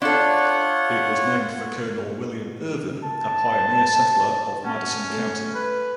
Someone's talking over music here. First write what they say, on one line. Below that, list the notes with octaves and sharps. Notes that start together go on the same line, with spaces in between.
It was named for Colonel William Irvine, a pioneer settler of Madison County.
D4 F4 A4 C#5 F#5
A5
C#4 F#5 A5
A3
B4